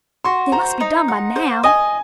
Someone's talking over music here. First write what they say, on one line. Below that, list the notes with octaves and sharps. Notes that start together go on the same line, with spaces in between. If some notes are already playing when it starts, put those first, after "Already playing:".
"They must be done by now."
F#4 C6
C5 A#5
D#4
F#5
C5
D#5 G#5